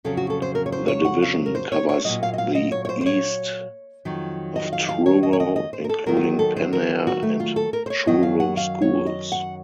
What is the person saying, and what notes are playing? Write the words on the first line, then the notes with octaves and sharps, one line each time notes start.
The division covers the east of Truro including Penair and Truro schools.
F2 C#3 F#3 A4
F#4
A4
C5
A#4
C#5
C5
C#5
F#5
F5
A#4
C5
C#5
C#5
A#2 F#3 D#5
F5
D#5
F5
D#5
C#5
C#5
C5
C5
C#5
F2 D#3 F#3
D#5
F5
F5
C#5
D#5
C#5
D#5
D#5
C5
A#4
A4
D#2 D#3 F#3 A#4
F4
F#4
A4
C5
A#4
F#4
A3
F4
A4
A#4
C5
C#5
F#2 D#3 F#3 D#5
F5
F#5
F5
C#5
D#5
F#5